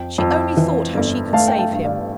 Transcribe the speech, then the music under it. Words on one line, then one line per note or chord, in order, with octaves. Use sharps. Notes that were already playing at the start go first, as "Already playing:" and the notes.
She only thought how she could save him.
Already playing: F2 G5
F2
E3
G1
A3 F5 A5
G5
F5 A5
G2
D5 F5